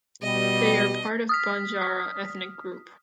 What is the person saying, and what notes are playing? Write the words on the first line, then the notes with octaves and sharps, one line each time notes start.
They are part of Banjara ethnic group.
B2 G3 D#5
D#6 F6 B6